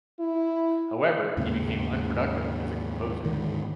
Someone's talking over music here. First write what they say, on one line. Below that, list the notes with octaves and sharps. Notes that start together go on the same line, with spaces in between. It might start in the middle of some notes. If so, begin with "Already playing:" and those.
However, he became unproductive as a composer.
E4
D#2 G#2 C#3 A#3
D2 G#2 D#3